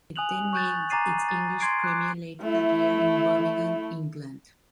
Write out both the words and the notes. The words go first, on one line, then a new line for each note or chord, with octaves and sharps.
It then made its English premiere later that year in Birmingham, England.
G#5 D#6 F#6 F7 F#7
C#6 F#6 G6 A6
G#5 A#5 D6 A6 C7 D#7
A6
C6 G#6 C7 D7
D6 F#6
A3 E4